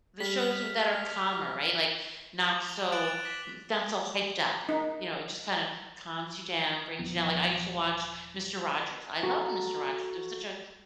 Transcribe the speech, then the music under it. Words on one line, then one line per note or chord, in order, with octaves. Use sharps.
the shows w that are calmer, right, like, not so n not so hyped up, you know, it just kinda calms you down, brings you down, like, I used to watch Mister Rogers, I loved Mister Rogers, it was such a
G3 F6 B6
D6
F7 G7
D6 F#6 A6 D7 E7 F#7
A6 D7
B6
D#4
D#1 F3 B3
F#4 A4 A#5